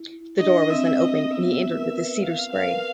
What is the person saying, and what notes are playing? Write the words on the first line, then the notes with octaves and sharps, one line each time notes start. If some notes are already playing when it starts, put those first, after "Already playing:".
The door was then opened and he entered with his cedar spray.
Already playing: E4
D4 D#5
C4 E5
D#5
B3 E5
F4
A#4
B4
F5
B4 F5
A#4
B4